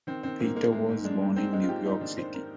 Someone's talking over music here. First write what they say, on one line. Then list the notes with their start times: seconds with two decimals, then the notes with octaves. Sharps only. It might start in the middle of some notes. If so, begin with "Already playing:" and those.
Peter was born in New York City.
0.07 D#3 C4
0.23 D#3 C4
0.40 G#2 A#3
0.56 G#3 A#3
0.72 G#3
0.89 G#2
1.04 G#3 D4
1.21 G#2
1.36 G#2 C4
1.53 G#3 D#4
1.63 F4
1.69 G#2 G4
1.86 G#2 D#4
2.01 D#3 D4
2.18 D#3 C5
2.34 A#4